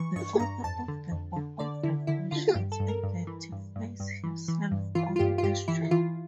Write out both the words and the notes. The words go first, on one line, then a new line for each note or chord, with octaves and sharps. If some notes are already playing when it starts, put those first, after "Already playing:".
The author of the Book of Revelation identifies himself only as "John".
Already playing: E3 C#6
G2 C#6
G2 A#5
F2 A5
D3
F2
D3
D3 D5
D3 E4
D3 E4
D3 F4
F4
G2 G4
A4
G2
A#4
G2
E3
G2
G2
G2
E3
E3
G2
E3 F4
F4
G2 G4
F4
G2 G4
E3 E4
E3 F4